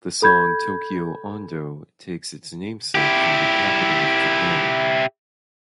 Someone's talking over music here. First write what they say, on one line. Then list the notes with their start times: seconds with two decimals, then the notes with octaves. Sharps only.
The song "Tokyo Ondo" takes its namesake from the capital of Japan.
0.22 A4 B5 G6 G#6
2.95 E4 G4